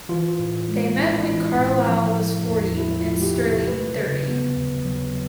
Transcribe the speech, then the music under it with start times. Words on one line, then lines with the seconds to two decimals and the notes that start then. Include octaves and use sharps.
They met when Carlyle was forty, and Sterling thirty.
0.09 E3 F4
0.39 A2
0.68 G#3
0.98 A#1 E4
1.28 E3
1.59 A2
1.88 F3
2.18 C3
2.48 E2
2.77 E2 E4
3.00 F4
3.07 F3
3.22 G4
3.37 C3
3.67 F#3 B4
3.97 C#3
4.27 B3
4.56 D#2
4.86 F#3